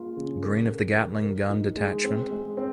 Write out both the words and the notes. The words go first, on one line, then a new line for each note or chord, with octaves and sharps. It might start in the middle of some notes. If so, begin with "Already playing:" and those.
Green of the Gatling Gun Detachment.
Already playing: G#3 A#3 F4
C#3
A#4
A#4
A#4
A#4
D#4
G#3
C4
G#3
C4